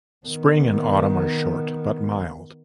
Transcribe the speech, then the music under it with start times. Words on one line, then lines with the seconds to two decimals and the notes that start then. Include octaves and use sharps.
Spring and autumn are short but mild.
0.26 D#3 B3